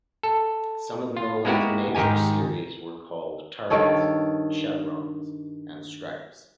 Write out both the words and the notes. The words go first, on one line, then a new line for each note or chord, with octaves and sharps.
Some of Noland's major series were called "Targets," "Chevrons" and "Stripes".
A4
F4
G#3 A#3 B3 E4 F#4 G4
G#2 D#3 D#4 G4 G#5
G2 D#3 A4 C#5